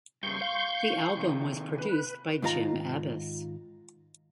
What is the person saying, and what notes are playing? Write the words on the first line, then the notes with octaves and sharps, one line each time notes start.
The album was produced by Jim Abbiss.
G2 C#3 C6 C#6 G6
F5
C3 D#3
B4
G#2 D#3 F4 A#4 A#5